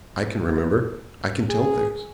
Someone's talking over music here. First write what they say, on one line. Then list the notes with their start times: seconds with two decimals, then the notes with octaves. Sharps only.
I can remember; I can tell things!
1.50 G#4